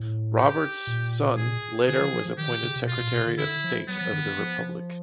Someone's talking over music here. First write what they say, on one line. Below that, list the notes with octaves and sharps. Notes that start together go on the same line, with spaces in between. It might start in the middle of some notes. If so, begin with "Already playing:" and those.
Roberts' son later was appointed Secretary of State of the Republic.
Already playing: A2
G4
A#2
G#4
D3 G#4
F3
F3
F3
D#3 G4
C#3
C3
A#2
B2 F4
A#2
B2
D3
D3 E4
F3
F#3 B3
F3
D#3
F3